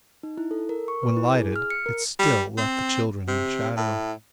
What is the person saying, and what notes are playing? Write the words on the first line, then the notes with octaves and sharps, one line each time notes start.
When lighted it still left the children in shadow.
D#4
E4
A4
A#4
C#6
B4
E4
G#4
F6
C#7
A#4
G3
C4
C3
A2